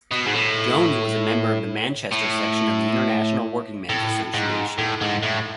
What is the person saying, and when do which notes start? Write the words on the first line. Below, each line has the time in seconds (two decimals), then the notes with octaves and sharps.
Jones was a member of the Manchester section of the International Workingmen's Association.
0.12 B2
0.26 G#2
0.33 A2
2.12 A2
3.89 A2
4.34 G#2
4.78 A2
5.01 G#2
5.23 A2